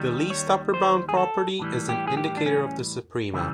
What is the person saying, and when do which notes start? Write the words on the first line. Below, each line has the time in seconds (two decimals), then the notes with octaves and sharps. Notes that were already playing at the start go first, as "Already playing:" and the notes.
The least-upper-bound property is an indicator of the suprema.
Already playing: D#2 D#3 G3
0.30 C#5
0.74 C5
1.09 G#4
1.17 A4
1.59 A2 E3 G3
1.89 G4
2.07 G#4
2.17 G4
2.37 D4
2.46 C#4
3.34 C#3 E3 G3 G#3